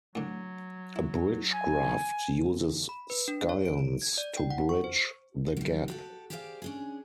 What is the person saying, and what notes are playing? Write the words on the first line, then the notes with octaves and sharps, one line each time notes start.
A bridge graft uses scions to 'bridge' the gap.
A2 D3 F#3
E4
G#5
B5
B4
D4
C#5
D7
G#6
D5
G5
F#5
C#6
C5
F#3 G3
F#4 G4 A4
G4 G#4 C5 D5 D#5 F5
C#4 D4 G#4